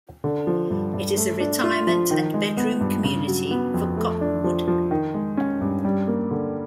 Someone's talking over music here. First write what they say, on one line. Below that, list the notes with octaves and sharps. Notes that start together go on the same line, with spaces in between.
It is a retirement and bedroom community for Cottonwood.
D3
F3
G2
G2
A3
D4
F4
F3
D#3
G#3
B3
G2
C#3
F#3
B3
F2
A3
D4
F3
F3
D#3
G#3
C#4
G2
G3
A#3
D3